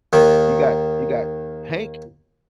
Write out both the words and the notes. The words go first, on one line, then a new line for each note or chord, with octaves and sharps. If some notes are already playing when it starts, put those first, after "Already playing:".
you got you got Hank
D#2 D#3